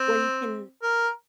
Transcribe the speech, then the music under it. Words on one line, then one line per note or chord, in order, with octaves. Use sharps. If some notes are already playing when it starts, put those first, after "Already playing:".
where you can
Already playing: C4
A#4